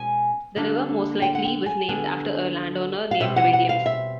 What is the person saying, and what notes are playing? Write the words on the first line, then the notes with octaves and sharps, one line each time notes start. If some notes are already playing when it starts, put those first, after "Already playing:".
The river most likely was named after a landowner named Williams.
Already playing: B2 G#3 C#4 G#5
D3 G3 A#3 D4
G5
F#5
G5
G#5
D3 G3 B3 D4 G#5
F5
B2 G3 C4 E5
F#5
F#5
F5
E5